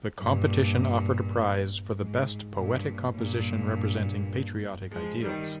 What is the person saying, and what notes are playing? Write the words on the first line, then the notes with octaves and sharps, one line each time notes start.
The competition offered a prize for the best poetic composition representing patriotic ideals.
G2 A#2
G#2
G2 A#2
G2 A#2
F3 G#3
D#3 G3